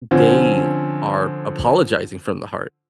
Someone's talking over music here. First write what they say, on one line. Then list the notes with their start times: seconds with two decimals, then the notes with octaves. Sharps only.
they are apologizing from the heart,
0.11 D3 F3 C4 C#4